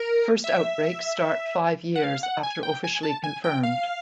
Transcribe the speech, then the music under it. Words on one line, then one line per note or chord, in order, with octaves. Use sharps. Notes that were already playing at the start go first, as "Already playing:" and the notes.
First outbreak start five years after officially confirmed.
Already playing: A#4
E5
F#5
F5
F#5
G#5
G5
G#5
A5
G#5
G5
F5